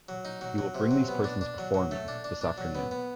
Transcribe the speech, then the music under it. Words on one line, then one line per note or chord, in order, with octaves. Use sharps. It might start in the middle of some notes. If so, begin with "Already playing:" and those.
You will bring these persons before me, this afternoon.
F#3
D#4
F#3
F#3
C3
F#3
B3
D4
D4
F#3
F#3
A3
D4
D4
D4
F#3
B3
B3